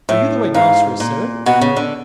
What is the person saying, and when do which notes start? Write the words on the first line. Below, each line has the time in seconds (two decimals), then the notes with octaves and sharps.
"Are you the rhinoceros, sir?"
0.09 A2 E5
0.54 G#2 F5
1.00 A#2
1.46 B2 F#5
1.61 C#3
1.76 D3